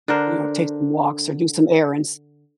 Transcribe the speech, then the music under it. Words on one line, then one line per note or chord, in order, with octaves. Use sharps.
you know, take some walks or do some errands.
D3 D4 A#4 C5